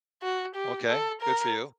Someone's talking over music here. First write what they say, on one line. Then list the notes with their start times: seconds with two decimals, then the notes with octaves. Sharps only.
Okay. Good for you.
0.22 F#4
0.55 G4
0.88 A4
1.22 A#4